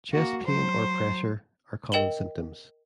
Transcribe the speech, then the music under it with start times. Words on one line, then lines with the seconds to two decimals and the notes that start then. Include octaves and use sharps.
Chest pain or pressure are common symptoms.
0.12 A#3 F#4
0.44 F#3 C5
1.92 A#4 D#5 G5 E7 F#7 G7